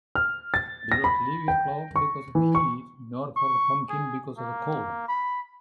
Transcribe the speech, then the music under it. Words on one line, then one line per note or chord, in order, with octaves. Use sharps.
Do not leave your cloak because of heat, nor for the pumpkin because of the cold.
F6
A6
A#6
B5
G5
C#6
E3
C#6
C#6
G#4
A#3
B5